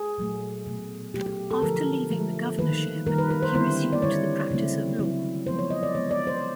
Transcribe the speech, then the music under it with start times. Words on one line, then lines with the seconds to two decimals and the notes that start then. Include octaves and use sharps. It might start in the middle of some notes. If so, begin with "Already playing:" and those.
After leaving the governorship, he resumed the practice of law.
Already playing: G#4
0.18 A#2 F#3 A3
0.66 B2 F#3 A3
1.14 B2 F#3 A3 G4
1.26 G4
1.51 A4
1.62 D3 F3 A3 A#4
2.10 D3 F3 A3
2.58 D#3 G3 A#3 B4
3.06 D#3 G3 A#3 A#4
3.18 B4
3.31 B4
3.43 C5
3.54 D3 G3 C4 E4 C5
3.93 D5
4.02 D3 G3 C4 E4 C#5
4.50 C#3 F#3 A3 C4 E4
4.99 C#3 F#3 A3 C4 E4
5.46 F3 G#3 B3 C5
5.59 C#5
5.70 D#5
5.83 D5
5.95 F3 G#3 B3 C#5
6.11 D5
6.27 C5